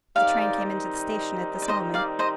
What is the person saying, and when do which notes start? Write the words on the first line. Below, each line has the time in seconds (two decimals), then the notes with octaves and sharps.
The train came into the station at this moment.
0.16 D#3 G3 C4 D#4 D5 F5
1.62 D5
1.68 C5 D#5
1.94 D5 F5
2.19 C5 D#5